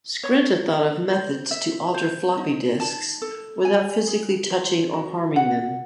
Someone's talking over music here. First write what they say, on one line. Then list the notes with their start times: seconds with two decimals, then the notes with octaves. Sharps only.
Skrenta thought of methods to alter floppy disks without physically touching or harming them.
0.23 C#5
0.66 D#4
1.09 C5
1.51 E5
1.94 C5
2.37 D#4
2.80 A5
3.22 A4
3.65 G#5
4.07 G#4
4.50 C5
4.93 F#4
5.36 F#5